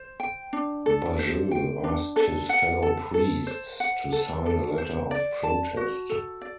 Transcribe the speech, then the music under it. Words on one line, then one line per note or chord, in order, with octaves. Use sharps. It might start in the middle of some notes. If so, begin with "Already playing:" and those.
Bajeux asked his fellow priests to sign a letter of protest.
Already playing: C5
G5
D4
A4
C5
G5
D4
A4
F#5
A4
A4
C5
F#5
A4
A4
C5
D5
A5
F#4
A4
D5